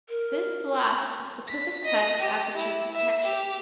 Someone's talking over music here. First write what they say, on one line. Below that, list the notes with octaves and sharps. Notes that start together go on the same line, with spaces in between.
This last is the perfect type of aperture protection.
A#4
B6
D#5
G4
E4
E5
G4